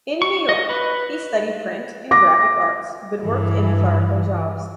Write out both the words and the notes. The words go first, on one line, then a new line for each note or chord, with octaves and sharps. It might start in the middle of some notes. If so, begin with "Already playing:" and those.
In New York, he studied print and graphic arts but worked in clerical jobs.
C#6
D#5
B4
D6 A#6
G2 E3